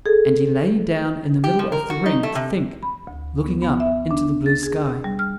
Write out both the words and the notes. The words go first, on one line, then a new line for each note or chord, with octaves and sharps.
And he lay down in the middle of the ring to think, looking up into the blue sky.
G#4 A4
G4
F3
A#4
F#4
D#4
A3
C3
B5
D2
B3
B3
E5
D4
A6
G#4
G3
F6